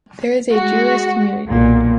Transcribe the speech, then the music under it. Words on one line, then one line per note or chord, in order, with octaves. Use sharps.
There is a Jewish community.
G#3 F#4
B1 A#2